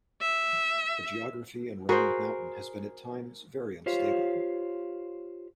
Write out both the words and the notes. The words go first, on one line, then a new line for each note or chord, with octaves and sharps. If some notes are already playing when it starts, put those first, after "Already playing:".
The geography in Round Mountain has been at times very unstable.
E5
F#4 G#4 A#4 C5 B5
F4 G4 C5 C#5 F5